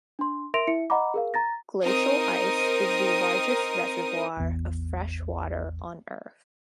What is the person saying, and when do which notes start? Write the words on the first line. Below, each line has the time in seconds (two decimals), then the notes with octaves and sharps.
Glacial ice is the largest reservoir of fresh water on Earth.
0.19 D4 C6
0.54 A#4 E5 C6 A#6 D7 F7
0.67 E4 E5 C#7
0.90 D#5 F#5 A#5 B5 D6
1.14 G#4 A#4 F5
1.34 A#5 A6 A#6
1.82 C4 D#4 A#4 D#6
4.37 A1 E2